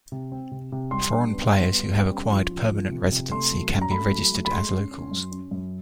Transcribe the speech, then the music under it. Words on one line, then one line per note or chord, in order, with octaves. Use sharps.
Foreign players who have acquired permanent residency can be registered as locals.
C3
C4
C3
C3
G3 C6
D4
B3
G3
B3
G3
C#4
F3
F3
F3
C3
C3
A3 C6
F#3
C#4
A#5
A3 B5
F#3
A3
B5
G#3 C6
C#4
C#4
F#2
C#4
F#2